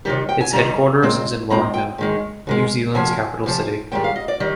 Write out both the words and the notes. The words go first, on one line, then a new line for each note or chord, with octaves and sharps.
Its headquarters is in Wellington, New Zealand's capital city.
C3 D#3 G3 G4
G5
G#5
C3 D#3 G3 A#5
A#2 G#3 C4
A#2 G#3 C4 A#5
G5
G#2 D#3 G#3
G#2 D#3 G#3
D2 C3 F3 G#5
D2 C3 F3
G#2 D#3 G3 G5
F5
D#5
D5
D#3 G3